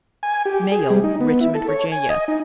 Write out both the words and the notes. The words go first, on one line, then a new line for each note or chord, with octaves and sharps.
Mayo, Richmond, Va.
G#5
G4
G#4
G3
D#4
B3
E4
A4
C#5
G#5
D#5
D#4